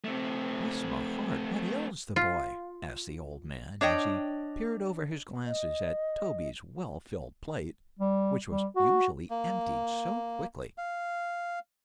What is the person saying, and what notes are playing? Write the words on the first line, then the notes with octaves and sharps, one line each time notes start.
"Bless my heart! what ails the boy?" asked the old man, as he peered over his glasses at Toby's well-filled plate, which was usually emptied so quickly.
A3 C4
F4
D4 C#5 D#5 G5
D#5
G3
G3
F#4
A#3
F5